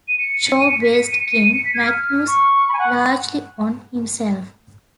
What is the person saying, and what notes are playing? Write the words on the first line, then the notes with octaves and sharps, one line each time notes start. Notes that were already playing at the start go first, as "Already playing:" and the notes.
Shaw based King Magnus largely on himself.
D#7
C#7
D#7
C#7
B6
C#7
D#7
C#7
D#7
D#7
C#7
B6
G#6
F6
C#6
B5
G#5
F#5